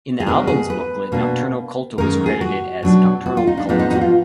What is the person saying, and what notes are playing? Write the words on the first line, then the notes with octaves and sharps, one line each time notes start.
In the album's booklet, Nocturno Culto was credited as "Nocturnal Cult".
G#4
B2 G#3 B3 D4 A#4
G#4
B4
B2 A#3 D4
F#2 D#3 G#3 A#4
G#4
F#4
B2 F#3 D4
F#4
F4
D#4
D4
G#2 F3 G#3 B3 D4 D#4
D#4
D#4
F#4
F4